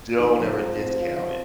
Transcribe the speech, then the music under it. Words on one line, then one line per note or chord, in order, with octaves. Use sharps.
Don't ever discount it.
F2 D#4
F3
G#2
C4
F4
F3